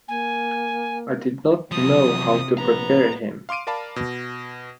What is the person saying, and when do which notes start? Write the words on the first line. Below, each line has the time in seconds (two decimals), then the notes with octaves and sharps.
I did not know how to prepare him..
0.08 A#3 G#5
1.71 E2 C3 F3 F#3 D#6
2.58 A#1 B3 A#5
3.49 F5 C6 D6 D7 D#7
3.67 A#4 D5 F5 A5 B5
3.96 B2